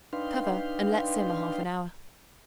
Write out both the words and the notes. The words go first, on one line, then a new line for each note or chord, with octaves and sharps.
Cover and let simmer half an hour.
D4 D#4 B4 F5 G5 C6